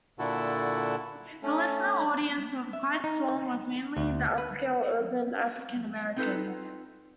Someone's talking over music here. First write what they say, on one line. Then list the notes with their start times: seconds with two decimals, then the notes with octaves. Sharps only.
The listening audience of quiet storm was mainly "upscale urban" African Americans.
0.19 A#2 D3 E4 F#4 A4
1.43 A3 C#4
2.73 E5
3.04 D#4
3.97 D2
4.38 B4
6.16 C4 D#4 F4 A4 B4